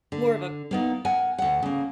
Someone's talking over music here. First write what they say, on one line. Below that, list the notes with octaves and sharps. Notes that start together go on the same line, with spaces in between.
more of a
D3
A#3 B3 D#4
A#4 F#5 G#5
D2 F#5
C#3 A#3